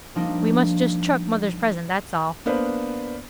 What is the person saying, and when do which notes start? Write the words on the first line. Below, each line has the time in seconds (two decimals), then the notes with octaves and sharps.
We must just chuck mother's present, that's all.
0.15 F3 G3 A#3 D4 D#4
2.46 A#3 B3 D4 B4 C5